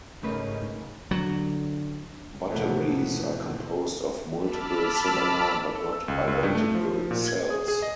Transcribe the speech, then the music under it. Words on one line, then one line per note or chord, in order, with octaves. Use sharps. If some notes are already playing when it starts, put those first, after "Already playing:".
Batteries are composed of multiple similar, but not identical, cells.
G#2 C#3 A3 C#4 D#4 A#4 B4
D3 F#3
F2 A2 C3 E3 A3 B3
A5 B5 D6 E6 F6
A4
E6
C#2
C#2
G2
A3
F3
A#2
G#6
G#4
G#4
D#5